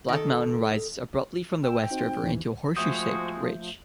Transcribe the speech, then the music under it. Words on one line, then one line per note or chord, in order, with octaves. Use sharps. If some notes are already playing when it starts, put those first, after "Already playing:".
Black Mountain rises abruptly from the West River into a horseshoe-shaped ridge.
D#3 A4
G5 C#6 E6
C4 D#4 F#4 C5
D#2 E3
F3 G#3 A3 C4 F#4 E5 D#6 G6